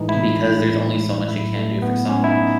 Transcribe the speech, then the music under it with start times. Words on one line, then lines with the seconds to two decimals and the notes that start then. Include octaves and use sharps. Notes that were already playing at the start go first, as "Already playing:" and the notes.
because there's only so much you can do for someone,
Already playing: A2 E3 G#3 D#4
0.09 E4
1.28 A2 F#3 E4
1.55 A3
1.82 B3
2.09 C#4
2.24 E4
2.29 D#4